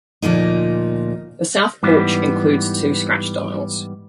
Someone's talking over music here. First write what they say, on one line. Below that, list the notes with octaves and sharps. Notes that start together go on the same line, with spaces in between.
The south porch includes two scratch dials.
D2 A#2 F3 A#3 D#4
G#2 E3 G3 B3